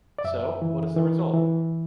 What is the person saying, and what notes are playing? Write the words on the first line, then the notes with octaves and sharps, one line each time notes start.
So, what is the result?
D5
F#2 E5
E3
E3
E3